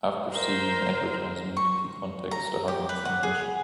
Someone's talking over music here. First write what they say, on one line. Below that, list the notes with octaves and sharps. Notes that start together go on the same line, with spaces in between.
After seeing an advertisement he contacts the Harbinger Foundation.
A#4 C5
C#6
A#5
G4
B4
F#5
G#4